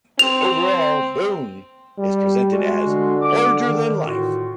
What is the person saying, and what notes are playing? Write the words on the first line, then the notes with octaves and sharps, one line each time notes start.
Overall, Boone is presented as larger-than-life.
C4 F7
G3
G#3 F4 F#4
D3
D6
D#3
A2 F4 F#4